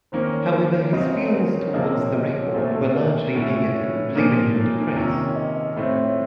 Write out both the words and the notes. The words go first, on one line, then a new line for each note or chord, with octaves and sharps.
However, his feelings towards the record were largely negative, leaving him depressed.
D#3 A#3 C#4 C5
C#5
A#4
C#5
C#3 F#3 C4 D#5
D#5
C#5
A#4
C#5
C3 F3 A#3 D#5
C#5
D#5
C#5
A#2 F#3 A3 C5
A4
A#4
A2 A3 C#4 F#4
F4
C#4
C#4
A#2 F3 A#3 D#4
A4
D#4
C3 D#3 A#3 C#4 F4
C#5
D#5
D#5
A2 A3 C4 C#5
C#5